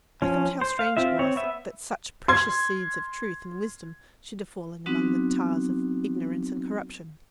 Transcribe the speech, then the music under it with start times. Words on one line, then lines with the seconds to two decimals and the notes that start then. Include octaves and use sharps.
I thought how strange it was that such precious seeds of truth and wisdom should have fallen among the tares of ignorance and corruption.
0.22 F3 C#4
0.61 C5
0.79 F5
0.97 C4 F4 E5
1.19 C4 C#5
1.36 B3 E5
2.28 C6 G#6
4.86 F#3 B3 C4 D4 D#4 F#4